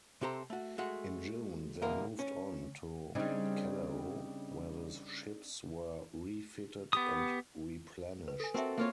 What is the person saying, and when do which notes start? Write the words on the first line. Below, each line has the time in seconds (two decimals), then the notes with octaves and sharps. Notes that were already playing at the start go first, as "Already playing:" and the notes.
In June, they moved on to Callao, where the ships were refitted and replenished.
0.21 C3 C4 G4 A4 C5 A#5
0.50 A3 F#4
0.78 G#3 A3 F#4
1.82 D2 B2 E3 G#3 A#3 A#4
2.19 C#4
3.15 C#3 G3 C4 D4 D#4
6.93 B3 G4 D#6
8.28 B4
8.40 A4 G#5
8.54 C4 F#4 A4 A#4 E5
8.78 A#3 F4 C#5